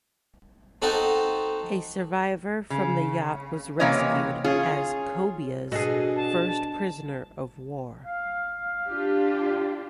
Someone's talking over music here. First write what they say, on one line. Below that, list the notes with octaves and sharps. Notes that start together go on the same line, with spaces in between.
A survivor from the yacht was rescued as "Cobia"'s first prisoner of war.
C4 D#4 F#4 A4
C#3
C3 E3 A#3 C#4 C#5 D#5
C#4 F4 G#4
B2 D4 F#4 G#4 A4
A5
F5
D4 F4 G4